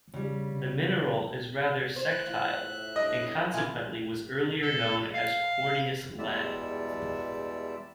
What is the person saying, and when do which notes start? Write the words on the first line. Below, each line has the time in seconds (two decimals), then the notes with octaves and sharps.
The mineral is rather sectile, and consequently was earlier known as corneous lead.
0.14 C#3 G3
1.96 D#3 C5 D5
2.10 A2 F#6
2.26 F4
2.54 A2 E5
2.96 G3 D4 D#5
3.53 B2 E3 D4 E4 F4 G#5
4.62 A4
5.13 F5
6.18 E2 B2 G3 G#3 D5 E5